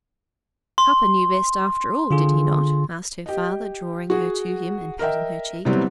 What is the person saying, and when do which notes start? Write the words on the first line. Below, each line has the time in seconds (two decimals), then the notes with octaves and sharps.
"Papa knew best, after all, did he not?" asked her father, drawing her to him, and patting her cheek.
0.78 C6
2.11 D3 F4 G#4
3.26 G4 D#5
4.10 F#4 G#4
4.99 A#4 D#5 E5 G5
5.65 C3 E3 F#3 G3 B3 C4